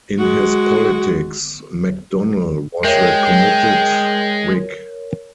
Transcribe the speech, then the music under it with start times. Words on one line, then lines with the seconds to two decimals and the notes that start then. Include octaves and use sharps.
In his politics McDonnell was a committed Whig.
0.18 G#3 F#4
2.84 G#3 A#4 C#5 G5